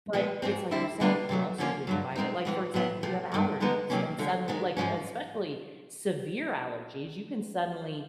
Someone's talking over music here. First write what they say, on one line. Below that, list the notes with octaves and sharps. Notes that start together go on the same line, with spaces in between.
but, it's like you said, it can also be a divider, like, for example, if you have allergies and suddenly like, especially severe allergies, you can suddenly,
A#2 F3 G#3 B3
G#2 F3 G#3 C4
D2 D3 G3 C4 E4
D3 G3 B3 D4 F4
C3 D#3 F#3 A3
D3 F3 A#3 C#4 F4
G2 D3 F#3
B2 G#3 C4 D#4
A2 E3 G#3 B3
A2 F#3 B3 E4
C3 F3 A3
G2 D#3 G#3
D3 F3 G#3 B3 D#4
C3 D#3 F#3 A#3 C#4
D3 F3 A3 C#4
D#3 G#3 B3
G#2 F3 G#3 C#4